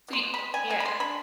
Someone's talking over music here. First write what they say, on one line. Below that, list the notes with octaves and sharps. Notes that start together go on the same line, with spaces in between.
See yeah.
B2 C6
B2
G#3 B5
G#3 G#5
B2 G#5
B5
G#3 C6
D4 B5